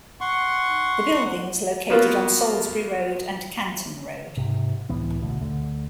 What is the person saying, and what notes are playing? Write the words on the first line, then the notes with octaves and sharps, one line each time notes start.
The building is located on Salisbury Road and Canton Road.
F#5 C6 C#6
A#3 B3 F4 F#4 A#4
G#2 C3
C#2 A2 E3 B3
A1 B2 D3 A3
D2 D3 A3